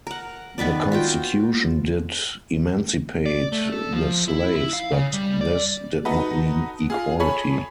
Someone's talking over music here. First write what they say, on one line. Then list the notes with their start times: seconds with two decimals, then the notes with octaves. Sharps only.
The constitution did emancipate the slaves, but this did not mean equality.
0.07 A#4 F#5
0.58 D#3 B3 B4 D5
0.92 F4 F#4 G5
3.26 D5
3.52 A3
3.72 A4
3.93 F3
4.28 E4
4.56 E4
4.73 F5
4.92 C#3
5.14 G3
5.41 D5
6.05 D#4 F#4 A4 B4
6.90 F4 G#4
7.20 G#4 A4 C#5 G#5 B5